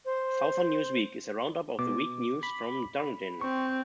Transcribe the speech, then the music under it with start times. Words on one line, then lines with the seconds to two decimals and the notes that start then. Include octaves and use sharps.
"Southern News Week" is a roundup of the weeks news from Dunedin.
0.05 C5
1.79 B2 D6
2.43 B5
3.41 C4 C#6